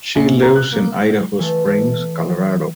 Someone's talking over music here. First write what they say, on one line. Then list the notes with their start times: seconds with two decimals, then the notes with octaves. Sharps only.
She lives in Idaho Springs, Colorado.
0.15 A#1
0.42 A#5
0.56 F#6
0.72 A#3
1.39 E3 A3